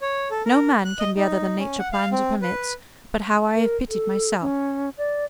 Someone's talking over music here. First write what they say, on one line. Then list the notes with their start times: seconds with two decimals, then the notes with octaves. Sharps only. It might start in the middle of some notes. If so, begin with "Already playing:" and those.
No man can be other than Nature plans or permits, but how I have pitied myself!
0.02 C#5
0.31 A4
0.45 A#4
0.85 F#6
0.99 D#5
1.16 D#4
1.59 C#4
1.79 F#5
1.93 F5
2.12 C4
2.42 B4
3.56 A#4
3.89 A4
4.42 C#4
4.98 D5